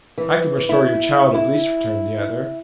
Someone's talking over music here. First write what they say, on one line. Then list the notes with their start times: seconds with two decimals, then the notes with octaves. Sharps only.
"I can restore your child at least," returned the other.
0.18 E3
0.69 E4
1.34 E4